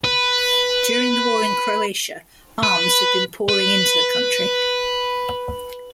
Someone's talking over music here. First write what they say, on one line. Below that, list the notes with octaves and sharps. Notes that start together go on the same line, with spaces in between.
During the war in Croatia, arms had been pouring into the country.
B4
B4
B4